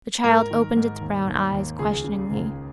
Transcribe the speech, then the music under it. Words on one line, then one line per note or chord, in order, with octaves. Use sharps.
The child opened its brown eyes questioningly.
G#2 A#4
D#3
G#2
D#2
D#2
D#2
C#2 G#4
C#3
C#2